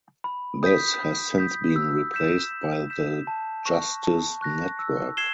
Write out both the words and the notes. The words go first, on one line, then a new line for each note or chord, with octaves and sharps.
This has since been replaced by the Justice Network.
B5
D#6 G6 B6
B5
D#6 G6 B6
E6
G6 B6 E7
E6
G6 B6 E7
A5
C#6 F#6 A#6
A5
C#6 F#6 A#6
E6
G#6 C7 E7 G7